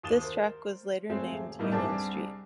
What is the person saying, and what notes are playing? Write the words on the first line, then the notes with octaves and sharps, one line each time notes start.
This track was later named Union Street.
D#2 D#6 A6 E7 G7
A#4 C5
G#3 A3 C4 G#4
D#1 G#4
A2 G3 A#3 B3 D#4 E4
C2 G3 C4 D4 G#4 A5